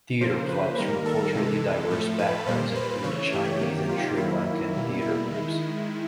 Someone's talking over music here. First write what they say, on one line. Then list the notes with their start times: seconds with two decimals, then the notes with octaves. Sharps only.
Theatre clubs from culturally diverse backgrounds include Chinese and Sri Lankan theatre groups.
0.21 C#3 F3 A#3 C5
0.49 B4
0.77 D#3 G3 A#3 A#4
1.06 A4
1.35 C3 E3 G#3
1.90 A2 F3 A3 A4
2.19 B4
2.47 A#2 G3 A#3 C5
2.75 B4
3.04 C#3 E3 A3 C#5
3.32 G4
3.61 C3 D#3 F#3 A#3
3.89 F4
4.17 D#3 F#3 A#3 E4
4.73 B2 G3 A#3
5.01 E4
5.30 D#3 G#3